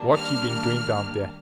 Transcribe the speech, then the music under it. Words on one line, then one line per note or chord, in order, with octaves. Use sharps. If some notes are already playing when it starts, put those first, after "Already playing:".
"What you been doing down there?"
Already playing: D#3 G3 A#3 D4
F6